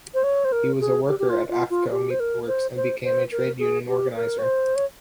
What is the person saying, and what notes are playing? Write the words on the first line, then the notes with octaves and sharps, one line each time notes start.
He was a worker at Affco Meatworks and became a trade union organiser.
C5
C#5
C5
A#4
G#4
G4
G4
F4
F4
F4
G4
C5
A#4
C5
C5
C5
A#4
G#4
G4
A#4
C#5
C5
C#5